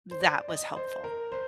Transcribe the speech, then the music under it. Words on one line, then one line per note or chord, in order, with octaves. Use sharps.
that was helpful.
C5
D5
D#5
C5
A#4
C5